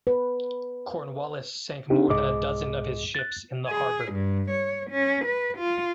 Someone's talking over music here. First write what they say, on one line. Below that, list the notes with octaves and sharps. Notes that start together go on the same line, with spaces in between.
Cornwallis sank more than a dozen of his ships in the harbor.
B4
C4 D4 D#4 G4
C2 G#2 G#4 D#5 D6
F#6 A6
G#4
G2
C#5
C#4
B4
F4